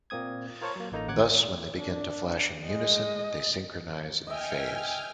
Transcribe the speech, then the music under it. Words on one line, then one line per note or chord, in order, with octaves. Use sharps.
Thus, when they begin to flash in unison, they synchronize in phase.
A#2 A#3 C4 D#6 G#6
F4 A#4 C5 C#5 A5 C#6
F#3 A#3
A1 A#3 D#4 A4 A#5
A1 D#2 F#5 D6 F#6 G#6
D4
G#3 D#5
D#5 E5 G5 G#5 F6